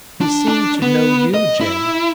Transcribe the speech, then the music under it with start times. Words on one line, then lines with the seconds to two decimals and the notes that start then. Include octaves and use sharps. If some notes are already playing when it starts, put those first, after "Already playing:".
He seemed to know you, Jane.
0.21 D4
0.48 D4
0.82 B3
1.34 D#5
1.61 E4